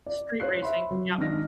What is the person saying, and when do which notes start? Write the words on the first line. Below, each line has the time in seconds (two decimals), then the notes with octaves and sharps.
Street racing, yep.
0.06 D5
0.40 C5 C#5 F#6 C7
0.62 E5 B5 C6
0.91 F#3
1.17 G#1 D4 D#4 D#5 F6 A#6